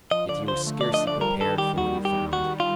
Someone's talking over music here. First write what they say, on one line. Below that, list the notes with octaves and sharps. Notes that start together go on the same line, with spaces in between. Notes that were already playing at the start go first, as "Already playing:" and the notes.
Yet he was scarcely prepared for what he found.
F3 D#5
D3 D5
D3 C5
A3
D4 D5
D#5
F3 D5
G3 A#4
D#3 A4
D#3 G4
D#2 F#4
D#2
G4
D#3
G3 F#4
G3
F4